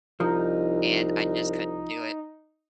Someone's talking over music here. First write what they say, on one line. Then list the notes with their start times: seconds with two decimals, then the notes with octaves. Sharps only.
and I just couldn't do it,
0.20 C2 F3 D#4